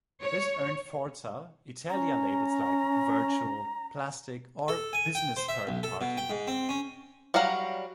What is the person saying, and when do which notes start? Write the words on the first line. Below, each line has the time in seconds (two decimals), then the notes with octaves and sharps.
This earned Forza Italia labels like "virtual", "plastic" or "business-firm party".
0.22 C#5
1.89 C#4 A#5
4.68 A4
4.93 G#5
5.15 G5
5.37 C5
5.48 E5
5.67 B1
5.83 A4
6.01 B2
6.17 G5
6.30 G#2
6.47 C4
6.69 C#4
7.34 F#3 G3 F#4 F5 A#5